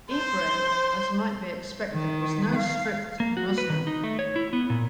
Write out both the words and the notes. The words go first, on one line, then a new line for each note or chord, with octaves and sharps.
Ibrahim, as might be expected, was no strict Muslim.
C5
D#3
F5
A#3
F#4
B4
D#3
D#4
A3
C#5
E4
B3
A#2